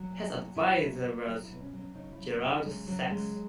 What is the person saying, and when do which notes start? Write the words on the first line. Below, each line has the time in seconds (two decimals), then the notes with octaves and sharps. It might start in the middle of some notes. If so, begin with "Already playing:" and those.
His advisor was Gerald Sacks.
Already playing: F#3
0.11 A#2
0.21 F#4
0.33 F#3
0.56 B2 E4
0.79 F#3
0.91 F#4
1.02 B2
1.26 F#3 F#4
1.44 E4
1.50 B2 B3
1.61 C#4
1.73 F#3
1.78 C#4
1.94 C#3 D#4
2.12 E4
2.18 F#3
2.30 F#4
2.41 C#3
2.46 E4
2.64 F#3 G#3
2.87 C#3 F#3
3.11 F#3 G#3